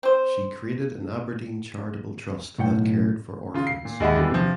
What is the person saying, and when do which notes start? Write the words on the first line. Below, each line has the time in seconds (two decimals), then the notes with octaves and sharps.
She created an Aberdeen charitable trust that cared for orphans.
0.03 C4 C5
2.58 B1 A2 F#5 G5
3.54 C#3 F4
3.67 C7
3.85 A#2
4.00 D#2 G#3 D#5 E5 F#5 B5
4.16 E2 D3 G3
4.31 C3 F3